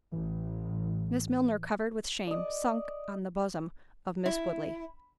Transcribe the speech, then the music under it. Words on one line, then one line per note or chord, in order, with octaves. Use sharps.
Miss Milner, covered with shame, sunk on the bosom of Miss Woodley.
A1 E3
D5 D#5
E4